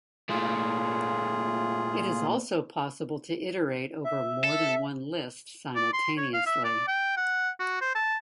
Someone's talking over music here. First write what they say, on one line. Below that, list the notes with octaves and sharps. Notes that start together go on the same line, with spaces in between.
It is also possible to iterate over more than one list simultaneously.
A#2 A3 F4 G#4
E5
A4
D5
C6
C#5
F5
E5
D5
G5
F#5
F#4
C5
A5